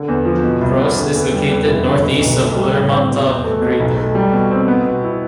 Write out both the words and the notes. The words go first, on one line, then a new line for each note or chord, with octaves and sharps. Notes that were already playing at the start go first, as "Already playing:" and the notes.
Proust is located northeast of Lermontov crater.
Already playing: D3
E2
F3
B2
C2
B3
D3
E2
G3
E2
F1
D3
B2
B1
A3
G3
A2
C4
B2
E2
A3
B2
B1
A3
G3
B2
C4
B3
B2
E4